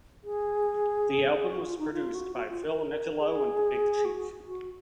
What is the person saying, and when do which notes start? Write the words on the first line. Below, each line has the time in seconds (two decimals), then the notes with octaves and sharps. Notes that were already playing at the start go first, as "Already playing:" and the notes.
The album was produced by Phil Nicolo and Big Chief.
0.24 G#4
1.50 F#4
1.64 F4
1.79 D#4
1.93 F4
2.15 F#4
2.36 F#4
2.49 F4
2.64 A#4
3.20 G#4
4.05 F#4
4.47 F#4